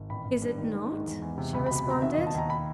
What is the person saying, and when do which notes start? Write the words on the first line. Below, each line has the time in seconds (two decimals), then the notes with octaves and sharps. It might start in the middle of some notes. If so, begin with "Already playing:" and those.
"Is it not?" she responded.
Already playing: G#1
0.10 A1 B5
0.25 A1
0.42 G2
0.58 D#3
0.74 D#3
0.89 G#2
1.06 E2
1.22 E2
1.37 C3
1.53 C#2 B5
1.66 B5
1.70 B2
1.79 B5
1.87 B2 A#5
2.02 D#3 E5
2.14 D#5
2.18 D#2
2.27 A5
2.35 D#2 A#5
2.50 B5